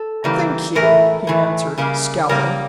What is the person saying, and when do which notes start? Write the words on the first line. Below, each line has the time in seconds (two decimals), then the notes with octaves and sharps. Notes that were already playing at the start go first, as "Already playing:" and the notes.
"Thank you," he answered, scowling.
Already playing: A4
0.24 C#3 E3 G3 A#3
0.75 A2 E3 A3 A#4
1.27 A2 E3 A3
1.78 C#3 G3 A#3
2.29 C#3 G3 A#3 A#4